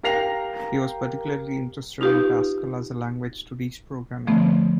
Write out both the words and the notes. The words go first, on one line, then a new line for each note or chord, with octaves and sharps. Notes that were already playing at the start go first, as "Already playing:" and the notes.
He was particularly interested in Pascal as a language to teach programming.
G4 A#4 F5 A#6 C7 F7
D#4 F4 G4 B4 F5
D3 F3 A3 B3 C4